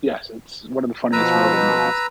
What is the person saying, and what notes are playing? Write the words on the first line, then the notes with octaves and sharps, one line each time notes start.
Yes, it's one of the funniest Marvel movies.
B2 F3 B4 A#5 E6